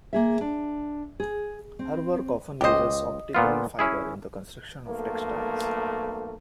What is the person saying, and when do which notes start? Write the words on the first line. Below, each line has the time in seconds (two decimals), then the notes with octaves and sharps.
Her work often uses Optical Fiber in the construction of textiles.
0.13 A#3 G#4 E5
0.41 D4
1.20 G#4
1.79 C4
2.61 C#2 G4 C5 D#5
3.35 A#2 B3 F4
3.79 C#4 E4 G#4
4.87 B1 A3 A#3